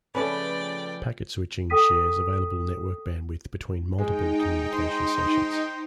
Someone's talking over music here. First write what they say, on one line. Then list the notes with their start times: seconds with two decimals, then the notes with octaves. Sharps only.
Packet switching shares available network bandwidth between multiple communication sessions.
0.15 C#3 F3 A3 C#4 A4 B4 D5 G5
1.70 A4 G5 D#6 B6 D#7
3.98 G#3 D#4 G5
4.72 C5 C6